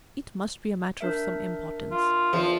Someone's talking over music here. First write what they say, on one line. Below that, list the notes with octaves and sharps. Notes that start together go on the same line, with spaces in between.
It must be a matter of some importance.
D4 A#4 E5
F4
E2 F3